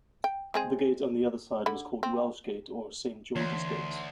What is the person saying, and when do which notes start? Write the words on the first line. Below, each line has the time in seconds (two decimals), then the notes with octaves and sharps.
The gate on the other side was called "Welsh Gate" or "Saint George's Gate".
0.24 G5
0.54 G#3 C4 G#4
1.66 D3 B5
2.03 C4
3.36 D2 E3 D#4 C#5 A5 C6 G#6